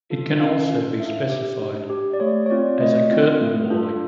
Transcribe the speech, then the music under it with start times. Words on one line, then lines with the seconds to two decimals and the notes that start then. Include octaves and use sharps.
It can also be specified as a curtain walling.
0.10 F4 A4
0.40 C#4 F5
0.70 F4 A4
1.00 D4 E5
1.30 G4
1.61 D4
1.90 G4
2.13 D5
2.20 A3 C#5
2.46 C#5
2.50 C4 F4 D5
2.80 A3 D#5
3.10 C4 F4
3.41 A3
3.70 D4 F4 A4